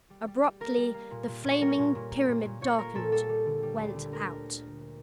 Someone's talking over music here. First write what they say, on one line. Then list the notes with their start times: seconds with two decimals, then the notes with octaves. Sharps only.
Abruptly the flaming pyramid darkened--WENT OUT.
0.10 G3
0.27 G3
0.44 G3
0.60 A#3 A#4
0.77 G3
0.94 A#3
1.11 A#2
1.27 A#2
1.44 A#2
1.51 C#5
1.61 G3 A#4
1.78 A#2
1.95 A#2
2.11 A#3
2.28 A#2
2.45 A#2
2.61 A#2 C#5
2.78 A#3 A#4
2.95 A#2 A4
3.12 G3 A4
3.29 G3
3.45 D3
3.62 G3
3.79 D2
3.95 D3
4.12 D2 A#4